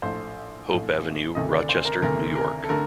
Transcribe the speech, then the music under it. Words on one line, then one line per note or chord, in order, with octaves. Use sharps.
Hope Avenue, Rochester, New York.
A#1 A2 A3 C5
A#1 A2 A3
D2 C3 D#3 A3 D#5
D5
C5
A#4
D2 C3 D#3 A3 A#4
A#4
A4
D3 A3 A#4